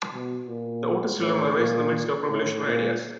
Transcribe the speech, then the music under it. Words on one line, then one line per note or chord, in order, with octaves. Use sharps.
The Otis children were "raised in the midst of revolutionary ideals".
B2
A#2
A2
A#2
A2
A#2